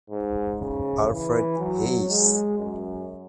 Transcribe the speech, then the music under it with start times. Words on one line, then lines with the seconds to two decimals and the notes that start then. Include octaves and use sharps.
Alfred Hayes.
0.10 G#2
0.60 C#3
1.10 E3
1.59 F#3
2.09 G#3
2.58 F#2